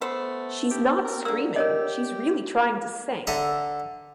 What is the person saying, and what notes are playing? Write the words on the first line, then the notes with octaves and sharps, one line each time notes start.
She's not screaming, she's really trying to sing.
A3 B3 C5
G4
A#4
D3 A#3 E6
G4 A#4 C#5 D#5
D3 A4 E5 A#5